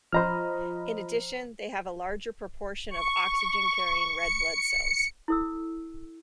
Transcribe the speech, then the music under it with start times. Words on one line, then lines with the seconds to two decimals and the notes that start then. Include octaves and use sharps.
In addition, they have a larger proportion of oxygen-carrying red blood cells.
0.13 F3 C5 D#5 A#5 B5 F6
2.89 C#6
4.15 C#7
5.28 E4 A4 E6